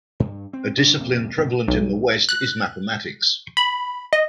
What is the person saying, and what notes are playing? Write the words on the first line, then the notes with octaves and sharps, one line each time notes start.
A discipline prevalent in the West is mathematics.
G2
C4
F#1 D4
F2 C3 A#3
F#1 G2 B2 B3
B1
F#6
B5
D#5